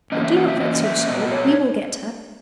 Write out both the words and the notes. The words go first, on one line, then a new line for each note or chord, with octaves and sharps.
But do not vex your soul; we will get her.
E3 A#3 C#4 D#5
E5
F#5
E5
E3 A#3 C#4 D#5
E5
A#2 F#3 B3 D#5
C#5